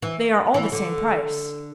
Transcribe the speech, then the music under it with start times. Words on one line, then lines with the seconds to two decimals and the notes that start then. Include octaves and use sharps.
"They are all the same price."
0.02 E3
0.54 E3
0.72 D3